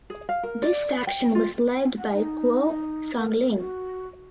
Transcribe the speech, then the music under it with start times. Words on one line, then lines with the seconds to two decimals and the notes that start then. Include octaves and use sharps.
This faction was led by Guo Songling.
0.10 G#4
0.29 F5
0.43 A#4
0.62 D5
1.07 G5
1.35 F4
1.98 F#5
2.13 D#4
3.17 A#4
3.56 F#4